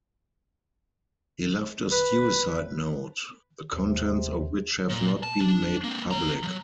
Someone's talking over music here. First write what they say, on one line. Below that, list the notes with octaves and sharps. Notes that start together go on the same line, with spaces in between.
He left a suicide note, the contents of which have not been made public.
B4
D#2 C3
A#2
A5
D4
A#3 C4
B3 A#5
F3 F#3